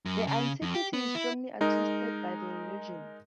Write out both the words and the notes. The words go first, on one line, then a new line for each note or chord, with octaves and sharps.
Their antiquity is strongly attested by their religion.
F#2
C#3
F2
G4
B3
E4
G#3 D#4 A#4